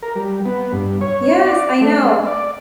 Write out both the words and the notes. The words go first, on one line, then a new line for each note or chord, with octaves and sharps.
Yes, I know,
A#4
G3
B3
G2
C#5
D5
A3
G#3
D5